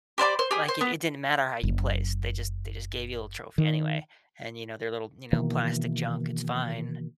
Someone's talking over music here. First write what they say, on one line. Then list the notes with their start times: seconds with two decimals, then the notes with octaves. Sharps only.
like, it it didn't matter how you placed. They just they just gave you a little trophy anyway. And, you know, they're little, you know, plastic junk. It's fine.
0.18 G4 C5 D5 B5
0.39 C5
0.51 G4 G#4
0.68 C5
0.81 B3
1.63 F#1
3.58 D#3
5.33 B2 D#3 E3 A#3